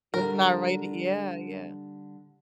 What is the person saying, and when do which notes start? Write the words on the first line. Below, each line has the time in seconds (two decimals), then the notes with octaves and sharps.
It's not right it yeah, yeah.
0.14 D3 G3 A#4